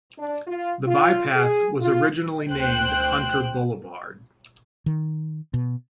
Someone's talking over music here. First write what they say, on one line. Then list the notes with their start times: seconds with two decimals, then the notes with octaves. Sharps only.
The bypass was originally named Hunter Boulevard.
0.17 D4
0.47 F4
0.86 F4
1.34 G#4
1.79 F4
2.51 D2 C5 G5 F#6
4.86 D#3
5.54 B2